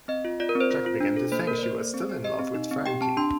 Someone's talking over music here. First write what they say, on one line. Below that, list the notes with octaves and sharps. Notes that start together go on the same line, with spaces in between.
Jack began to think she was still in love with Frankie.
C4 D#5
F4
F4 D5
A#4
C4
C5
F4
F4
D4
A4
A#3 C5
A#3 A#4
D5
A#3 C5
A4
C4
G4
G4 D#5
C4
D#4
C4
G4 G5
C4 A5
D4 C6